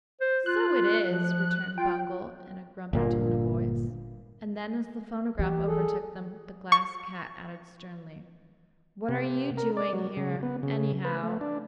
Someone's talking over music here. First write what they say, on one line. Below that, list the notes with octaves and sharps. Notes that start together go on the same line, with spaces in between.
"So it is," returned Bungle, in a grumpy tone of voice; and then, as the phonograph overtook them, the Glass Cat added sternly: "What are you doing here, anyhow?"
C5
F4 F#6
F3
F4 G5
G1 A#2 A#3
E3 G4
G#4 A4
C#6
C3
A#4
D5
F#3
C#3
B3
C#3
B4
A3
D4